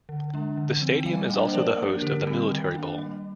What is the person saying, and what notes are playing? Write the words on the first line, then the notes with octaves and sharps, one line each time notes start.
The stadium is also the host of the Military Bowl.
D3
G#3 D4
D3
F3 C4
G5
G3 F5 G#5
A#3 D4 D#5 G5
C5
F3 A#4 D5
A#3 D4
D3 G4 A#4
G3 C4
D#3
A#3 D4
G3